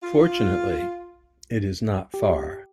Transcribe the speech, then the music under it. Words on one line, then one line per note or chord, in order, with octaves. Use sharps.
Fortunately it is not far.
F4
G4